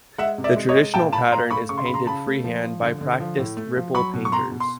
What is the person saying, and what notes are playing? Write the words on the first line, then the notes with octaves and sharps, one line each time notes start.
The traditional pattern is painted free-hand by practised "ripple" painters.
G#3 E5 F#5
C3
D5 E5
G#3
C#5 D#5
G#3
A#2 G5 A5
A#2 A5 B5
A#2 A#5 C6
A3 B5 C#6
C#3 C#6
C6
C#3 B5
A#5 C6
C#3 A5 B5
A3
F3
F3
D3
D3
F3
A2
A3
F3
F#3 B5 C#6
B2
C#6
B2 A#5 C6
B2
C6